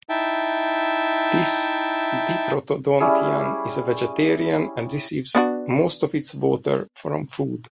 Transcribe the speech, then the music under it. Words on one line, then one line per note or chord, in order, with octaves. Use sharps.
This diprotodontian is a vegetarian and receives most of its water from food.
D#4 E4 E5 G5 A5
G3 C#4 E4 G#4
B3 D4 F#4